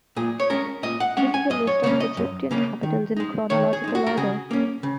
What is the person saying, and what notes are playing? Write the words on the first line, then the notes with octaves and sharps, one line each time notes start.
This is a list of Egyptian capitals in a chronological order.
A#2 G#4
C#5
G#3 C#4 A#4
A#2 D#5
F#5
G#3 C#4 F#5
G#5
F#2 D#5
C#5
C#3 A#3 C#4 C#5
D#5
F#2
C#3 A#3 C#4
D#3
G#3 D#4
D#3 C#5
G#4
G#3 D#4
F#4
A#4
C#3 G#4
A#3 C#4
C#3